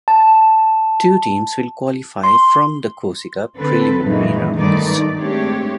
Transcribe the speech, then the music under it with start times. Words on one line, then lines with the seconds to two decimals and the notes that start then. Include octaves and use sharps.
Two teams will qualify from the Corsica preliminary rounds.
0.08 A5
2.24 C6
3.57 D3 C4 A4 B4
4.04 F#2 A#2 D#3 E3 G#3 D#4
4.55 G2 D#3 A3 B3 D#4 D5
5.17 G#3 A3 C4 D4 G4 C#5